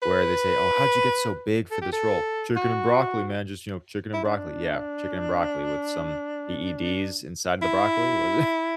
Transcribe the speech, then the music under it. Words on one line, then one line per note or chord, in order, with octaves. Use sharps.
where they say, "Oh, how'd you get so big for this role?" "Chicken and broccoli, man. Just, you know, chicken and broccoli." Yeah, chicken and broccoli with some EEDs inside the broccoli was it
B4
A4
G4
A4
F#4
E4
D4
E4